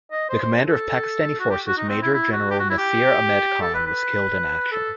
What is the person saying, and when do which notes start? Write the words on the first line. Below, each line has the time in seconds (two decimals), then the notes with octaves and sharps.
The commander of Pakistani forces Major General Nasir Ahmed Khan was killed in action.
0.12 D#5
0.29 C5
0.42 C5
0.67 A4
1.40 F#4
1.50 G4
1.67 F#4
1.77 D#4
1.89 C4
2.02 E4
2.14 E4
2.32 F#4
2.51 G4
2.59 F#4
2.70 E4
2.78 G4
3.61 A4
3.74 B4
3.86 B4
4.72 A4